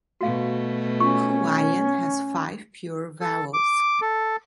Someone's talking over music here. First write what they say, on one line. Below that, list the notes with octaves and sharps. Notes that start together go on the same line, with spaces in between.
Hawaiian has five pure vowels.
B2 A3 F#4 F5
C#4 F4 C#6
A4
D6
A4